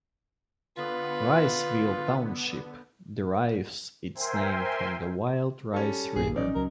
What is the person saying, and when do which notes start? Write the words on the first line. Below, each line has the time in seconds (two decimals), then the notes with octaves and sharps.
Riceville Township derives its name from the Wild Rice River.
0.77 D3 B3 F4 B4
4.15 A#4 C5 E5 G5 G#5 C6
5.74 G3 C#4 A4
6.16 A#1 G2 A#3 G#4
6.36 A1 F#3 C#4 D#4 D5
6.55 C#2 F#3 A#4